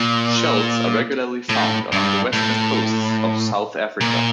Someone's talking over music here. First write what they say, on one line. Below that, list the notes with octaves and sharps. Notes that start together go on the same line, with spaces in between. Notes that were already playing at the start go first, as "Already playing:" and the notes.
Shells are regularly found along the western coasts of South Africa.
Already playing: A#2
A2
G2
A2
A#2